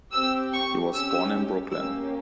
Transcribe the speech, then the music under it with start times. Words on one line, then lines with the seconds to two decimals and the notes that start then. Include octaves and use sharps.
He was born in Brooklyn.
0.12 C4 G4 E6
0.53 C#6
0.92 C#4 G4 E6
1.71 A#3 C#4 G4 E6